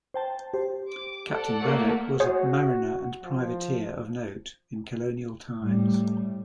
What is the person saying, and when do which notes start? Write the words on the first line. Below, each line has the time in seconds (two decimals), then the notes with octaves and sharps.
Captain Braddock was a mariner and privateer of note in Colonial times.
0.14 C5 G5 A5
0.54 G4 C5
0.91 D6
1.29 A4 D5 F#5
1.59 A3 A#3
2.20 F#4 G#4 C5 C#5
3.23 F3
5.61 A2 G3